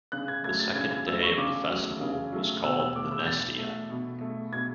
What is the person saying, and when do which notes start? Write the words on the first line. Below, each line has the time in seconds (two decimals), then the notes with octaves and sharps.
The second day of the festival was called the "nesteia".
0.12 C#3 F#6
0.28 G#6
0.44 F#3 A3 G#6
0.59 A6
0.75 C#3 G#6
0.91 G#6
1.07 F#3 A3 E6
1.23 C#6
1.38 C#3 D6
1.69 F#3 A3
2.01 C#3
2.32 F#3 A3
2.64 B2 E6
2.80 E6
2.95 A3 D6
3.11 E6
3.26 B2 A6
3.58 A3
3.90 B2
4.21 A3
4.52 B2 G#6